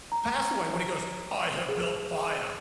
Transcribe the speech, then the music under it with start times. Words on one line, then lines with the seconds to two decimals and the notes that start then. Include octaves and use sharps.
passed away when he goes, "I have built fire."
0.12 A#5
1.69 G#4